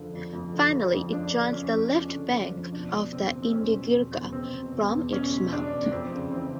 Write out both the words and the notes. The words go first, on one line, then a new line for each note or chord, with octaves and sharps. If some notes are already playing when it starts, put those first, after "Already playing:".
Finally it joins the left bank of the Indigirka from its mouth.
Already playing: F2 D3 F3
F2
F2
D3
F3
F2
F2 D4
D3
F3 C#4
F2
F2 C#4
D3
F3
F2
B2 D4
B2
E2 C4
E2
C4
B2 C#4
B2
E2
E2
B2 C4
B2
E2
E2
B2 C#4
B2
E2 D4
E2
F2 C4
C#3
E3 C4